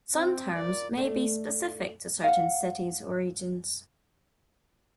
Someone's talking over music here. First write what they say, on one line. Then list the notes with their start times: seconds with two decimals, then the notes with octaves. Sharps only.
Some terms may be specific to certain cities or regions.
0.14 C4
0.54 F4 A#4 D5
0.97 A3 D4
2.24 F5 F#5